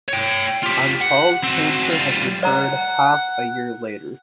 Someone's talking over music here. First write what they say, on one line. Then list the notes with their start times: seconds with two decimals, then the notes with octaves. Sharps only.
Antall's cancer has recurred half a year later.
0.09 C#5 G5
0.63 F4 G4
1.00 F#5
1.44 C4 F#4
1.89 G3 F4
2.43 D5 F#5 A#5